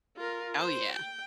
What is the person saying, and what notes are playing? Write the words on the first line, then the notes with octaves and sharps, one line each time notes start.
Oh yeah.
F4 A#4
C5
G5